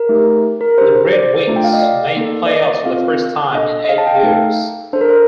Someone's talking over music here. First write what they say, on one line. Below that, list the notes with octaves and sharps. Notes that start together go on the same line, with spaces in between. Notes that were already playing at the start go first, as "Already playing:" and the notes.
The Red Wings made the playoffs for the first time in eight years.
Already playing: A#4
A3 D#4 G4
A#4
D4 G4 C5
C5
D5
A3 D4 F4 A4
G5
F5
D#5
D5
A#3 D#4 A4
D5
D#5
D#5
C4 F4 A4 F5
D4 A4 D#5
D#5
F5
A5
G5
F5
A3 D#4 A4
D4 A4 C5
A#4
C5